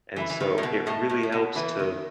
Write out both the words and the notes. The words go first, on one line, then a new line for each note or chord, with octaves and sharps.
and so it really helps to
E3 A4 E5 B5
E3
D#3
A2
B2
A2 A4 D#5 A5
A2
A2
B2
E3 B4 E5 B5
D#3